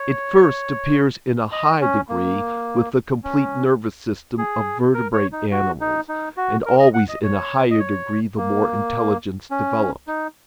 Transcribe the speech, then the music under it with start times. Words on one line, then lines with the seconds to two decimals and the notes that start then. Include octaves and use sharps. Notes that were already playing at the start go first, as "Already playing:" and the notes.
It first appears in a high degree with the complete nervous system of vertebrate animals, and always in a higher degree the more intelligence develops.
Already playing: C#5
1.52 D#5
1.81 C#4
2.09 A#3
3.24 C#4
4.38 G#4
4.94 A#4
5.13 C#5
5.32 D#4
5.52 F#4
5.81 D#4
6.09 D#4
6.37 F#4
6.66 A#4
6.79 D#5
6.94 F#5
7.09 D#5
7.23 C#5
7.70 D#5
7.80 C#5
8.37 A#3
9.51 C#4
10.07 D#4